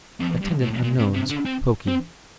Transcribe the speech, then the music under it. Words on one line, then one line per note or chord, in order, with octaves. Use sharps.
Attendant unknowns; pokey.'
F2
G2
A2
A#2
C3
C3
D3
C4
C4